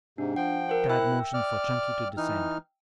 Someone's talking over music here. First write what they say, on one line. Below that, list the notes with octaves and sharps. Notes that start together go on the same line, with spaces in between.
Tad motioned for Chunky to descend.
G#2 C3 D4
F3 F#5 G5
A#4 C5
E4 E5 G5 E6 F#6
D5 F6
E3 D#4 F6